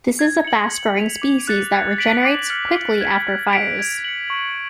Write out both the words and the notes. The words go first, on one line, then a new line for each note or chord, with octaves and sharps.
This is a fast-growing species that regenerates quickly after fires.
G#6
C#7 F#7
G#6
B6 F7
D6
F#6 A6 C#7
G#6
B6 D7 F#7
D6
F6 A6 C#7 F#7
D6
G#6 B6
G#6
B6 D7 F7
G#6
C#7 F#7
C#6